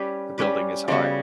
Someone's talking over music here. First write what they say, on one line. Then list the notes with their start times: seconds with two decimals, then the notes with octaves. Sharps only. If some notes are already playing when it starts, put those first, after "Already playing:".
The building is high.
Already playing: G3 C#4 G4 B4
0.38 G3 C#4 G4 B4
0.88 C#3 G3 B3 F#4